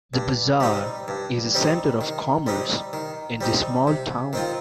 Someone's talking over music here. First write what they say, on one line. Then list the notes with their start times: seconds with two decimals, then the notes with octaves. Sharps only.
The bazaar is the center of commerce, in the small town.
0.14 G2
0.60 G3 C4 D#4
1.08 G2
1.54 G3 C4 D#4
2.01 D#3
2.47 G3 C4 D#4
2.93 D#3
3.41 G3 C4 D#4
3.87 C3
4.33 D#3 C4 F4